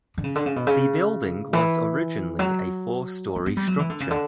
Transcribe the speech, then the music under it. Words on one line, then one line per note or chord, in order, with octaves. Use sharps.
The building was originally a four-story structure.
D3
C#3
D3
C#3
B2
C#3
E3
F#3
B3
B3
G3
F#3
E3
D3
C#3
D3